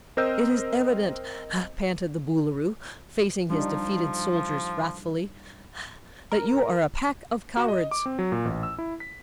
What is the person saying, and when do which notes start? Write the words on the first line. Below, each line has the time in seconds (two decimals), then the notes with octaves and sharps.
"It is evident," panted the Boolooroo, facing his defeated soldiers wrathfully, "that you are a pack of cowards!"
0.17 C4 A#4 C5 D#5 E6 G6
3.50 F3 G3 D4 D#4
6.32 A#4
7.57 F#4
7.68 D#5
7.91 D6
8.06 C4
8.19 F#3
8.32 A#2
8.45 A1
8.63 E6
8.78 E4
9.00 B6